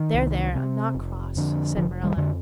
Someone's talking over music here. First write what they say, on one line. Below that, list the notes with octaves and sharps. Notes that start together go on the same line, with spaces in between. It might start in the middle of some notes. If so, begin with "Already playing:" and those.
"There, there, I'm not cross," said Marilla.
Already playing: D#3
C2
C3
F1
F2 D3
F1 D3 F3
D#3 G3
F2 D3